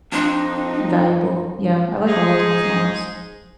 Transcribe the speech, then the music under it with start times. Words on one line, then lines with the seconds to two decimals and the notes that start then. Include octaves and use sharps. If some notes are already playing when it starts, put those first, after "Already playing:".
valuable. Yeah, I like all of them, if I'm honest.
0.12 F2 C4 D4 D#4 C5
2.07 G#2 G#3 D#4 G#4